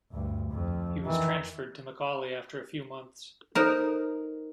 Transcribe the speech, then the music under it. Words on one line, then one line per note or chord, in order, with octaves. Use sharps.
He was transferred to McAuley after a few months.
D2 G2
F2
D#3 E3
D#4 A4 A#4 C5 A#5